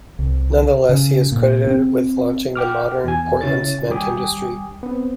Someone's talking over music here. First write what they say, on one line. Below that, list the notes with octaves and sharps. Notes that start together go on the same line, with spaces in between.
Nonetheless, he is credited with launching the "modern" Portland cement industry.
C2
C#3
A#2
C4
F#5 G5 D6 F6
E2 G#5
C#3 E4 C#5 A6
D#2 G3 G5 G#5 D6 D#6
B3 C4